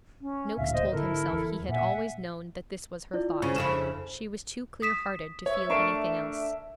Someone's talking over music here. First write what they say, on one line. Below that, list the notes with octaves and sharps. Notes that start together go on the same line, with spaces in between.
Noakes told himself he had always known that this was her thought; she was too clear-hearted to feel anything else.
C#4
A1 D2 A#2 E5 F5
C5 D#5
G#1 D3 E4 A4 A#4
E2
A#2 E5 F#5 G#5
E4 F4 D5
C#3 C#4
F2 C#3 E4 E7
D#6 B6 E7
C#5 E5
A3 D4 A#4 C#6